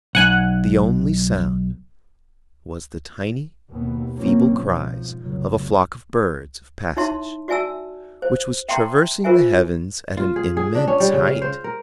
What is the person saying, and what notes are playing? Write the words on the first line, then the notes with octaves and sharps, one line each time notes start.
The only sound was the tiny, feeble cries of a flock of birds of passage, which was traversing the heavens at an immense height.
B1 F#5 G#5 F#6
D#2 B2 B3
C3 F3 A#3 C4 C#4
G#2 B2 F3
F1 B1 C#3 F#3
D#4 E4 C#5 E5 A5 C6
F#4 D5 E5 G#5 A5 E6
C5
E5 F#5 G5 A5 A#5 C6
F4 A#4 C5 E5 G#5
F4
G#4
G#4
D4
C#4
G3
C#3
F5
C5
A#4